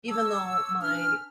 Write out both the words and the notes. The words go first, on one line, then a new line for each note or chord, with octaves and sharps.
Even though my
C#5 A5 D6 E6
C#4 D4 B4 F6